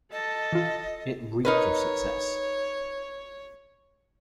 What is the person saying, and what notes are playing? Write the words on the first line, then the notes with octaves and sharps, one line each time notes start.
It reeked of success.
A4 D#5 A5
E3 F4
D#4 A#4 B4 C#5